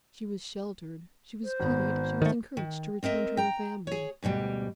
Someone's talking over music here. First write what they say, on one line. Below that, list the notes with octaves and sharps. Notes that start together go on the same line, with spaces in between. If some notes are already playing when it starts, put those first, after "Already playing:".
She was sheltered; she was pitied; she was encouraged to return to her family.
C5
G#1 B3
D#3 A3
D#3
C4 A#4 D#5 E5
G5 A#5
G#4 C#5
D2 G#2 B2 G3